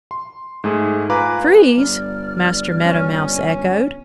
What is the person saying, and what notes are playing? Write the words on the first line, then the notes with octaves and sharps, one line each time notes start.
"Trees!" Master Meadow Mouse echoed.
C6
G#2 A3 G#4
F4 B4 F5 G#5 A#5 D6
G1 D5 F6
C#4